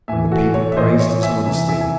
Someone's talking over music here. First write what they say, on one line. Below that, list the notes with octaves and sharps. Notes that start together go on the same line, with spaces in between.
And the people praised his modesty.
A2 E3 E5 G#5
F#4 A4
A4 C#5
E5
A2 E3 C5 D#5
C#5 E5
E5 G#5
C3 E3 E5 G#5
E5 G#5
G#5